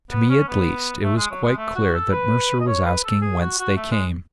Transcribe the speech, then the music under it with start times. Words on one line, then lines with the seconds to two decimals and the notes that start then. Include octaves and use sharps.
To me, at least, it was quite clear that Mercer was asking whence they came.
0.11 B3
0.29 C#4
0.48 B3
1.03 A3
1.17 G#3
1.31 F#3
1.43 G#3
1.57 A3
1.75 F#4
1.94 A4
2.12 B4
2.60 D#5
2.67 C#5
2.85 B4
3.04 A4
3.22 G#4
3.41 F#4
3.59 F#4
3.76 A3
3.91 G#3